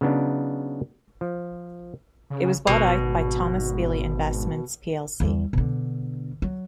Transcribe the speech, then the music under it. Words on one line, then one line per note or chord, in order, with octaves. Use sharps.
It was bought out by Thomas Bailey Investments plc.
C#3 F#3 B3 D4 D#4
F3
C#3
G#1 B2
E2 G3
B2 D3
F#3